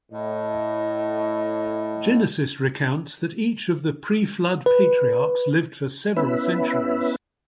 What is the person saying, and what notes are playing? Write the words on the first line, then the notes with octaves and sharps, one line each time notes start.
Genesis recounts that each of the pre-Flood Patriarchs lived for several centuries.
A2 D#5
B4
B3 C#4 E4 B4 E5